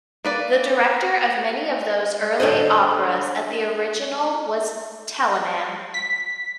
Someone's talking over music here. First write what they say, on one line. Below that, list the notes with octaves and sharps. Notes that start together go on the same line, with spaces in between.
The director of many of those early operas at the original was Telemann.
A#3 B4 D5
D4 A4 C5 D#5
B6